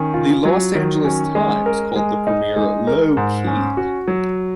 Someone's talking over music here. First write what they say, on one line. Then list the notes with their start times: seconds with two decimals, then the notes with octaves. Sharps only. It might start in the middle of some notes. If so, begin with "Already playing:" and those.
The "Los Angeles Times" called the premiere "low-key".
Already playing: D#3 C#4
0.14 F4
0.45 F#3
0.75 D#3
1.05 C#4
1.35 G#3
1.66 A#4
1.96 G#3
2.27 D#4
2.56 G#3
2.87 A#4
3.17 G#2
3.47 C#4
3.77 F#4
4.08 F#3